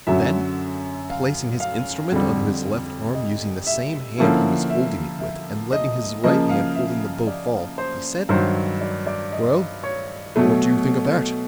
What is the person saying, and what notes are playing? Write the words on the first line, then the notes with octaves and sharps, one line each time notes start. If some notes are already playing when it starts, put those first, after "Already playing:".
Then, placing his instrument under his left arm using the same hand he was holding it with and letting his right hand holding the bow fall, he said, "Well, what do you think of that?"
F#2 D3 F#3 E5
F5
F5
F2 D3 G3
D#5
E5
D3 F3 A#3 C#4 E4
E5
E5
D#5
C#3 F3 A#3 D#5
F5
E5
D5
C5
G2 D#3 F#3 C5
D5
D5
D#5
C#5
B2 F#3 A3